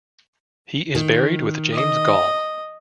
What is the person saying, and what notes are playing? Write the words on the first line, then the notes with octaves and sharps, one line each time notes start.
He is buried with James Gall.
D#3
D#5